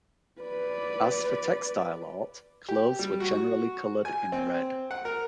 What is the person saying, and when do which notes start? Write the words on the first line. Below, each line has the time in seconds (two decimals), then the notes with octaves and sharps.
As for textile art, clothes were generally colored in red.
0.41 B4 D5
2.69 G4
2.99 G3
3.20 F#4
4.05 G#5
4.32 C4
4.91 F#5
5.05 A#4